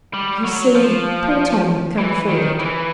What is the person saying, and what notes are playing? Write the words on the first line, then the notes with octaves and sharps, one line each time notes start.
"You see, poor Tom can't afford it."
G3
F#3
F3
E3
D#3
E3